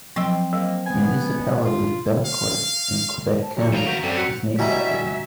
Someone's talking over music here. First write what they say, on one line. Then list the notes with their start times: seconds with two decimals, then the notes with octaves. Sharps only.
The Municipality of Belcourt in Quebec, Canada, was named after him.
0.16 F3 F#3 C4
0.53 F#3 A#3
0.86 B3 G#5
1.65 F4
2.26 F5
3.42 A5
3.57 F#3 A4 D5 C#6
3.72 E2 F5 A#5
3.87 F#4 G6 B6
4.03 F#2 C4 A4 D5 G5 F7
4.16 F#4 E6 B6 C#7
4.59 G3 E4 F#4 D#5 E5 G#5 A#5